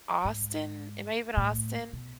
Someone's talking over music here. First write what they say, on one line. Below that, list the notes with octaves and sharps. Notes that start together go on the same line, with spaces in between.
Austin, it may have been Austin
G#2
A2
B2